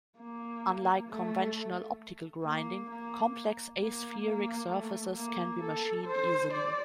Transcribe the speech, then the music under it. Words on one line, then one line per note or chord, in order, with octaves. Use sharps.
Unlike conventional optical grinding, complex aspheric surfaces can be machined easily.
A#3
A3
A#3
A#3
A#3
A#3
A3
A#3
A4
C5
D5